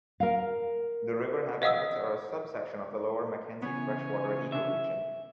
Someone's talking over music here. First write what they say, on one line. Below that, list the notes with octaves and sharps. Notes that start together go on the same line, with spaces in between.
The river habitats are a subsection of the Lower Mackenzie Freshwater Ecoregion.
A#4 F5
D#5 F5 F#5 D#6 E6
C#3 E3 B3 C#4 C#5 G#5
C3 D4 E5